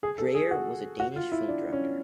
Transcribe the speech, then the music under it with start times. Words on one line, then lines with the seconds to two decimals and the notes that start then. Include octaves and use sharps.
Dreyer, was a Danish film director.
0.03 G#4
0.18 A4
0.35 G#4
0.51 F#4
1.00 F#4
1.16 F4
1.32 E4
1.48 D4
1.73 C#4